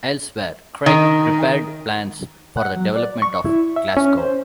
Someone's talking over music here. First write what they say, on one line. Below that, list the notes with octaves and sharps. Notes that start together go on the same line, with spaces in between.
Elsewhere, Craig prepared plans for the development of Glasgow.
D#3
F#5
F#3
D5
C#6
E4
E5
C#4
C5